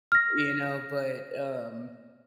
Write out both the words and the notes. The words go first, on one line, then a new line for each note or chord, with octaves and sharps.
You know, but, um
F6 A#6